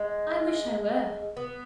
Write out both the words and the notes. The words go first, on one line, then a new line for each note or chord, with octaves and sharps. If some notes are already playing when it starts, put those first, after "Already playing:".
I wish I were.
Already playing: G#3
B3